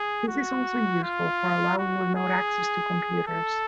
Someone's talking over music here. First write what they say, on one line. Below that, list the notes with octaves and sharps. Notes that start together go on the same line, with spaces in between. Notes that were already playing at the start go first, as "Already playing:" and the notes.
This is also useful for allowing remote access to computers.
Already playing: G#4
F#4
F4
F#4
G#4
A4